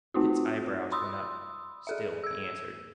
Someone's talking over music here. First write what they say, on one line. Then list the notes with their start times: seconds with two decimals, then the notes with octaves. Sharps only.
Pitt's eyebrows went up; still he answered.
0.14 A3 C4 D#4 F4 F#4
0.92 B5 C6 D#6 E6
1.87 G#4 A4 E5
2.24 E6 G#6